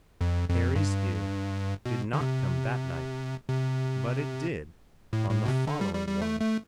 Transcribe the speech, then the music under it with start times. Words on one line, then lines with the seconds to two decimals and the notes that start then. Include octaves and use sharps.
Harry's deer did not come that night, but it did on the following one.
0.21 F2
0.49 F2
0.76 G2
1.86 B2
2.13 D3
2.21 C3
3.49 C3
5.13 A2
5.30 A2
5.45 B2
5.48 C3
5.67 D3
5.81 G3
5.94 G3
6.08 G3
6.21 A3
6.40 A3